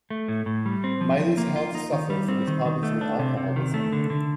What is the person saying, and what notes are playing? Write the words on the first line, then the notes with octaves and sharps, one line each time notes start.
Miley's health suffered from his problems with alcoholism.
A3
A2
A2
G3
C4
F3
F3
A#3
F4
D#4
D#3
G3
C4
D#3
D#3
A3
D4
C3
C3
D#3
A3
D3
D3